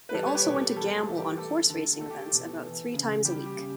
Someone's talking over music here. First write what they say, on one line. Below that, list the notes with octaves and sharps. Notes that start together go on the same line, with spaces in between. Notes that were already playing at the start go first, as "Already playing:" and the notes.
They also went to gamble on horse racing events about three times a week.
B4
G3 A4
C#5
G4 B4
B2
A4
G3 A4
A4
E3
G4
A3 A4
D3 A4
A3 A4
G4
A4
B2
E3
C#3
G3 G4
G4
C#3